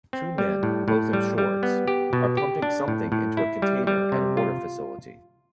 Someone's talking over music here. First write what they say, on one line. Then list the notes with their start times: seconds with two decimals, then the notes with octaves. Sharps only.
Two men, both in shorts, are pumping something into a container at a water facility.
0.13 C4
0.38 G3
0.63 A2
0.88 A2
1.13 G3
1.38 G3
1.63 B3
1.88 G4
2.13 B2
2.37 G4
2.62 D4
2.88 A2
3.12 A2
3.37 E4
3.62 G3
3.87 G3
4.12 C3
4.37 F4